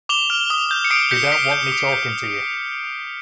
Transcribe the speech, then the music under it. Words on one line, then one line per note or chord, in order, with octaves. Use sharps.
They don't want me talking to you.
D6 F7 G7
F6
D#6
G6
C#7
D#6 C7 D7
G6 B6 C#7
D#6 B6
G6
D#6
G6